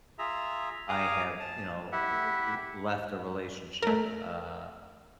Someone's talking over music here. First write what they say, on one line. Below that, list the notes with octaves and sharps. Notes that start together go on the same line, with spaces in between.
I have, you know, l l left a relationship, uh,
F4 G#4 E5 A#5
G#4 F5 G#5 A#5 D6 D#6
A5
E4 G4 E5 F#5
A3 A#4